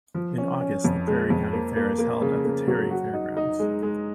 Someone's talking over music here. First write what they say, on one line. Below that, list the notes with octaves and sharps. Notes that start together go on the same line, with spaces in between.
In August, the Prairie County Fair is held at the Terry Fairgrounds.
F3
C#4
C#4
F2
G#3
F2
A#3
A#3
A#3
C#3
A#3
F#3
F#4
D#4
D#4
G#3
G#3